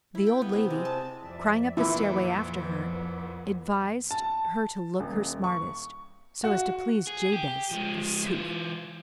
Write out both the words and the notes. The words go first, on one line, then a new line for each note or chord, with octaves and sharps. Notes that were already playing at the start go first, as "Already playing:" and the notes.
The old lady, crying up the stairway after her, advised her to look her smartest--so as to please Jabez, forsooth!
E4
G5
B3
C3
G#3
A5
F2 D5 E5
F2 A#2 E3 B3 E4 B5
A5
D#1
C#6
F#4
G#4
G4
F3 G#3
E3 F4